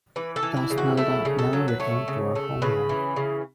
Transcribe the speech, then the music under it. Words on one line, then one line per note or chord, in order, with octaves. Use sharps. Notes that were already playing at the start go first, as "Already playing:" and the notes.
Thusnelda never returned to her homeland.
E3 B4
A4
E3
E4
C#3
F#4
A3 E4
C#3
A4
F#3
B4
A3 C#5
C#3
A3
C#3 B4
E3
C#3